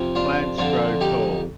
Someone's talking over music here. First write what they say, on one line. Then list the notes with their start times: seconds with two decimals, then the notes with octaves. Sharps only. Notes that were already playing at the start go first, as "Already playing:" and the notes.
Plants grow tall.
Already playing: F2 C3 F3
0.15 D4 F4
0.58 F2 D3 F3 D4 F4
1.00 D#4 G4